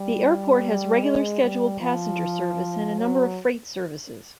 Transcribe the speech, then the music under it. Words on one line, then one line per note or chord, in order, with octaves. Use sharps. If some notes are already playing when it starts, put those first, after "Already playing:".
The airport has regular scheduled passenger service and a number of freight services.
Already playing: G3
G#3
G3
F3
F#3